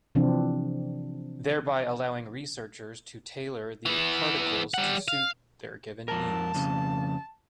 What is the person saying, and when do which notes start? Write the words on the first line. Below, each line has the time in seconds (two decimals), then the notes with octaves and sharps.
Thereby allowing researchers to tailor the particles to suit their given needs.
0.15 C3 E3 F3 C4 D4
3.86 E3 B3
4.74 G3 F#5
5.08 F5
6.08 F2 A#4 A5
6.54 F2 C#3